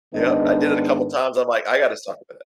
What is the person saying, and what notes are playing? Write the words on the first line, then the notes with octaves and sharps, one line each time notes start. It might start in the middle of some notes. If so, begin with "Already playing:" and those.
Yep. I did it a couple times. I'm like, "I gotta stop with it."
G#2 D#3 G#3 B3 D4 D#5